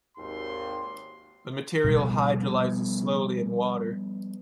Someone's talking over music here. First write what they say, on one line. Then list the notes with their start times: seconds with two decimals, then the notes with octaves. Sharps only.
The material hydrolyzes slowly in water.
0.17 G#1 D#2 C6
1.84 B2 F3 G3 B3